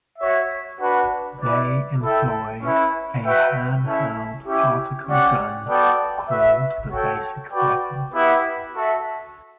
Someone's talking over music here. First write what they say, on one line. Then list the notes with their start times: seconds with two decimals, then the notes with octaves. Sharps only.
They employ a hand-held particle gun called the basic weapon.
0.18 F#4 C#5 E5
0.79 D4 F#4 B4
1.40 E4 B4 D5
2.02 E4 A4 E5 G5
2.62 C#4 E4 B4
3.24 F#4 B4 E5 G5
3.85 C#4 E4 A4 E5
4.45 C#4 E4 G4
5.07 C#4 G4 D5 F#5
5.67 B3 F#4 A4 D5 G5
6.29 F#4 B4 E5
6.90 F#4 A4 C#5 G5
7.51 F#4 B4 D5 G5
8.12 B3 E4 G4 B4 F#5
8.73 F#4 A4 E5